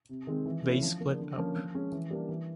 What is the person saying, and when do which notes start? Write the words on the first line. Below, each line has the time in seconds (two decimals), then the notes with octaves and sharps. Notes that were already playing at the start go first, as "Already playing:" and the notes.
They split up.
0.09 C3
0.27 D#3 G#3 C4
0.45 E3
0.64 A3 C#4 E4
0.83 F3
1.01 A#3 D4
1.20 D3
1.38 F3 A#3 C#4
1.56 F3
1.75 G#3 C#4
1.92 E3
2.11 G3 A#3 D4
2.29 E3